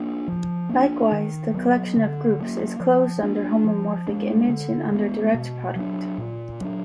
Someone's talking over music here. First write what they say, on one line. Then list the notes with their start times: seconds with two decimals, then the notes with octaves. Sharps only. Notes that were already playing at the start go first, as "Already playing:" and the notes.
Likewise, the collection of groups is closed under homomorphic image and under direct product.
Already playing: A#3 D4
0.28 F3
0.69 A#3 D4
1.12 D#3
1.54 F#3 B3
1.97 D3
2.39 F#3 A#3
2.80 F3
3.22 A#3 D4
3.64 F3
4.07 G#3 D4
4.49 D3
4.91 G#3 B3
5.34 B2
5.76 F#3 D4
6.18 A#2
6.61 F#3 D4